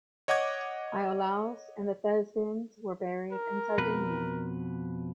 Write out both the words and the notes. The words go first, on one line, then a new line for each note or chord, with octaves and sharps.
Iolaus and the Thespians were buried in Sardinia.
C#5 D#5 F#5 D6 G#6
A#4
F2 B2 B4